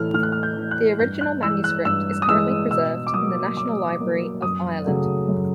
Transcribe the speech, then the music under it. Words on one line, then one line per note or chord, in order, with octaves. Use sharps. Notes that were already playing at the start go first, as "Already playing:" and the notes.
The original manuscript is currently preserved in the National Library of Ireland.
Already playing: A2 E3 A3 F6
A2 F6
F#6
F6
G6
E3 A3
F#6
G2 G6
F#6
E3 G#3 E6
F#6
G2 E6
D#6
E3 G#3 E6
B2 E6
D6
F#3 A#3 D#6
B2 D6
F#3 A#3
F#2 D#6
C#3 F#3 A3
F#2